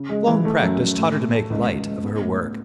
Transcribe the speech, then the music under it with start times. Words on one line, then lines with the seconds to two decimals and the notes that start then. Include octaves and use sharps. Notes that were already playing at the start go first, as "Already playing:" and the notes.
Long practice taught her to make light of her work.
Already playing: C#3
0.09 G#3
0.27 E3
0.45 A3
0.62 F#2
0.81 F#2
0.98 A2
1.15 A2
1.34 A3
1.50 C#2
1.68 C#2
1.87 C#2
2.04 B3
2.22 A2